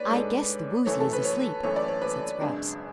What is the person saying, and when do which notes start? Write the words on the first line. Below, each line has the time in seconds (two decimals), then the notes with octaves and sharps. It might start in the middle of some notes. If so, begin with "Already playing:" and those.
"I guess the Woozy is asleep," said Scraps.
Already playing: B4 C#5 D5
0.10 G#2 G#3 D4 A4
0.86 F#2 E3 A3 C#5
1.00 A4
1.13 B4
1.25 C#5
1.63 F#2 E3 A3 C#5
1.76 D5
1.88 C#5
2.02 B4
2.41 G#1 F#2 C#3 G#3 D4